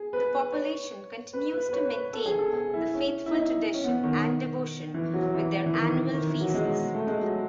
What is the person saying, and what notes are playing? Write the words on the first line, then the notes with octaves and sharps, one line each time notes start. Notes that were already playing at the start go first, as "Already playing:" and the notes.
The population continues to maintain the faithful tradition and devotion, with their annual feasts.
Already playing: G#4
B4
C#5
B4
B4
B4
C#5
B4
A4
G#4
A4
G#4
E4
C#4
E4
D#4
C#4
B3
D#3
E3
F#3
E3
E3
D#3
D#3
E3
F#3
G#3
A3
G#3
F#3